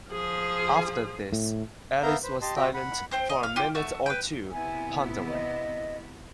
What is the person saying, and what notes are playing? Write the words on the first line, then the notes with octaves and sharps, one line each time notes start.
After this, Alice was silent for a minute or two, pondering.
F3 G#4
A2
B3 A#4 E5 F5 A#5 G6
B4 C5
G4 D#5 A5 C6
C4 F#4 D#5 E5 G5
F#5 B5
C4 C5 G5
D#5
F5
F4 G4 G5
A3 F#4 E5 A5
B4 G5
C3 B3 E4 G#5
D#5